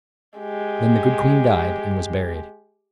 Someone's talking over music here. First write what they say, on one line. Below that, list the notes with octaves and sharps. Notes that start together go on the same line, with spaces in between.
Then the good queen died, and was buried.
G#3 G4